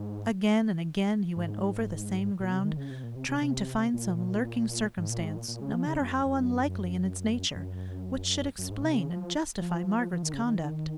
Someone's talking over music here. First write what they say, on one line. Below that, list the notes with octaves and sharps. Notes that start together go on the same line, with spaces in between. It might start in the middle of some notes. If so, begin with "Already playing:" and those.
Again and again he went over the same ground, trying to find some lurking circumstance, no matter how unlikely in its nature, which should explain and justify Margaret's conduct.
Already playing: G#2
G#2
A#2
C3
D#3
C#3
C3
A#2
C3
C3
C3
A#2
G#2
A#2
G#2
A#2
A#2
C#3
F3
C#3
F#2
F2
F2
F#2
F#2
F#2
G#2
C3
C#3
F3
F3
F3
D#3
C#3
D#3